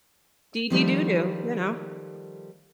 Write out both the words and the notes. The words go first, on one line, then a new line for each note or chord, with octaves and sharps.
Dee Dee, Doo Doo, you know?
D#3 F3 G3 A3